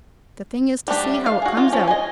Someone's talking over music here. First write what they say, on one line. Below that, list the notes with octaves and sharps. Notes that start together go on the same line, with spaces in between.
The thing is to see how it comes out.
G3 A3 D4 G4
F5
F#4 G#4
F4
F3 C#4
D#5 G#5